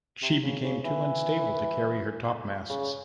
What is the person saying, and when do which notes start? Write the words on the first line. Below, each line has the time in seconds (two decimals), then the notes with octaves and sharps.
She became too unstable to carry her topmasts.
0.22 C3
0.42 C#3
0.63 C#3
0.84 E3
2.70 C#3